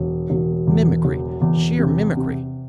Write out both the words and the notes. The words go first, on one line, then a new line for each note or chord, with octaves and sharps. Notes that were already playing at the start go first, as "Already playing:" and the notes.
Mimicry, sheer mimicry!
Already playing: E1
E1
E2
E1
E2
C3
C3